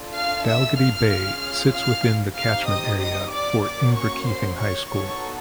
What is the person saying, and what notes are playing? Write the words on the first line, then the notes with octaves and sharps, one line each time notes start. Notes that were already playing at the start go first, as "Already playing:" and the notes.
Dalgety Bay sits within the catchment area for Inverkeithing High School.
Already playing: D4 F4 A4
F5 F6
E5 E6
F5 F6
C#4 F4 G#4
F5 F6
C4 D#4 G4 F5 F6
D#5 D#6
D#5 D#6
D5 D6
A#3 C#4 F#4 D5 D6
C#5 C#6
C5 C6
C#5 C#6
B3 D#4 F#4 A4 C#5 C#6